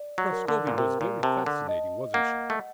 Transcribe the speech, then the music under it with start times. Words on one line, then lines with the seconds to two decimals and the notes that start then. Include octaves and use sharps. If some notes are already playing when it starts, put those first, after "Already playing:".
"Prascovie was very fascinating, wasn't she?"
Already playing: D5
0.18 F#3
0.32 A#4
0.48 D3
0.67 A#2
0.78 C3 A#4
1.01 A#2
1.23 C3 A5
1.46 D3
1.69 D#5
2.14 A#3 F#5
2.50 A3